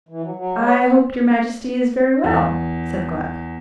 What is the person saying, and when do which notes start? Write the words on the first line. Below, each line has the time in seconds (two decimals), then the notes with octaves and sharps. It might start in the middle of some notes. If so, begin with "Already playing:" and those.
"I hope your Majesty is very well," said Gluck.
0.09 E3
0.22 F#3
0.36 F#3
0.54 G#3
0.66 C#5
0.79 B3
2.24 E2